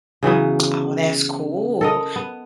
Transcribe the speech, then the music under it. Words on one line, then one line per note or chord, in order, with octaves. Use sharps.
Oh, that's cool.
C#3 E3 F#3 B3
A4 A#4 D#5
B3